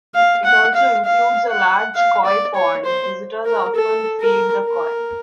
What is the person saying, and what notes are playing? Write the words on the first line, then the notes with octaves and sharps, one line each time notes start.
It also includes a large koi pond; visitors often feed the koi.
F5
F#5
F5
F5
F#5
F5
D5
C#5
C5
A#4
A4
A#4
A#4